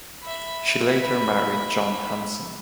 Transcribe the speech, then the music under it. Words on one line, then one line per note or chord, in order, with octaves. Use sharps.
She later married John Hansen.
E5 B5